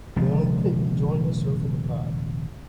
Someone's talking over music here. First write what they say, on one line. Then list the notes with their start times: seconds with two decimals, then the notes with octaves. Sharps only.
A girl in pink enjoying herself in the park.
0.16 D#1 C3 F3 G#3